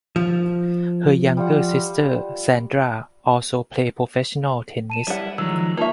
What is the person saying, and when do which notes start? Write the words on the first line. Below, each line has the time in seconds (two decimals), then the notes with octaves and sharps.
Her younger sister Sandra also played professional tennis.
0.16 F3
1.37 G3 F4 F#5
4.90 A5 D#7 E7
5.07 G3 E4 F#5
5.38 D#3 F3 F#3 G#3 E6
5.77 A#3 D#4 F4 E5 A5 C#6